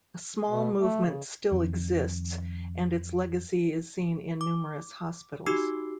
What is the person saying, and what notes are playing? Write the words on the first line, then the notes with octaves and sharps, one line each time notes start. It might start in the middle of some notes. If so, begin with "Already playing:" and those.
A small movement still exists and its legacy is seen in numerous hospitals.
B2
A3
C#3
F2 D#3
D6
D#4 F#4 G4 D6 E6 C7